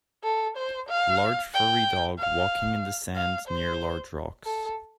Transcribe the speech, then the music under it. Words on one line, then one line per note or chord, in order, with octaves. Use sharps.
Large furry dog walking in the sand near large rocks.
A4
C5
F5
G5
F5
F5
C5
A4